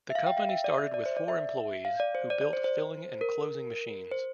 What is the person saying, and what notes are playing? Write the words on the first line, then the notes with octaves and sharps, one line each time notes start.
The company started with four employees who built filling and closing machines.
E5
F5
G5
F5
E5
D5
E5
D5
C5
D5
E5
F5
D5
C5
D5
D5
C5
C5
A#4
C5